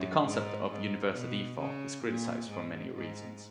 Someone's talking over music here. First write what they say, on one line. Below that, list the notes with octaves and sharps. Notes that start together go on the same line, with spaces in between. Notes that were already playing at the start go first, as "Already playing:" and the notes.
The concept of universal default is criticized for many reasons.
Already playing: F#2
G#2
G#2
B2
C#3
A#2
G#2
G#2